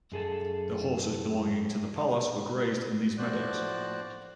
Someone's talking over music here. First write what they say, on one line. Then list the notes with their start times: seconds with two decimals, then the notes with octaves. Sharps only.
The horses belonging to the palace were grazed in these meadows.
0.12 F#2 G#4 A4
3.18 A2 F3 F#4 C5 D5 F#6